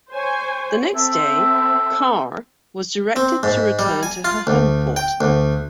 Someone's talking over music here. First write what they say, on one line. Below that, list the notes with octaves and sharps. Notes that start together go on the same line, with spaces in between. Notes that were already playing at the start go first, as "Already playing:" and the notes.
The next day, "Carr" was directed to return to her homeport.
C5 C#5 G#5
C4 A4 E5
C4
G#2
G3
G#5
F4
D2
G5
D2